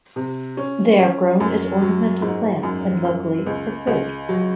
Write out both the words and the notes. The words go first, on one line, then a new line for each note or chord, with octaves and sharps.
They are grown as ornamental plants and, locally, for food.
C3
C#4
C#4
F#2
F#3
G#2
F#2
F#2
C#2
C#2
F#3